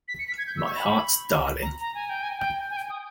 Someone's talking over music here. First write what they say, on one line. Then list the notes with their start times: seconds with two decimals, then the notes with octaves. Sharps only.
My heart’s darling!
0.08 B6
0.19 C#7
0.27 B6
0.38 G#6
0.47 G6
0.57 E6
0.66 C#6
0.76 B5
1.62 A#5
1.81 A#5
1.95 G#5
2.09 G5
2.23 G#5
2.39 G5
2.70 G#5
2.77 G5
2.90 D#6